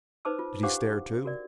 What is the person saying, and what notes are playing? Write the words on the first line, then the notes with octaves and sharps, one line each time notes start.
"Did he stare too?"
D#4 B4 C5 A5 D6 E6
F4
D4 G4 C5 F5 F#5 D6
F#4 A#4 D5